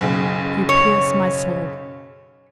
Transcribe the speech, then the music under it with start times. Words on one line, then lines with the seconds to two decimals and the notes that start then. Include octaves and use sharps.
You pierce my soul.
0.01 F#1 B1 C#3
0.69 C#5